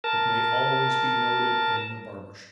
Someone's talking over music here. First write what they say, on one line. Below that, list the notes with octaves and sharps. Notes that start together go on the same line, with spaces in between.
It may always be noted in the barber shops.
A#4 A5